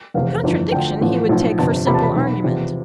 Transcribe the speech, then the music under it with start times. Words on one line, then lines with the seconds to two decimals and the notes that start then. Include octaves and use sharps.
Contradiction he would take for simple argument.
0.14 F1 E2 C3 F5
0.43 G1 F2 E3
0.72 D2 D3 F3 G5
1.01 A1 A2 F3
1.29 B1 A2 F3
1.58 G1 F2 C3 A5
1.87 E1 E2 C3 F3 B5
1.94 A5
2.03 B5
2.16 B1 B2
2.44 E2 C3 F3